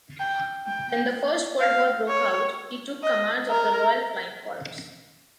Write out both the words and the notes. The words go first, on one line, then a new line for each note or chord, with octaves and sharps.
When the First World War broke out, he took command of the Royal Flying Corps.
G5
G5
F5
C#5
D#5
A#4